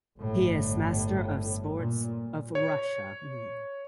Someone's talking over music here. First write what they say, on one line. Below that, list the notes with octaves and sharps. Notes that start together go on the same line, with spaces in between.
He is Master of Sports of Russia.
G1 A2
A#2
C#5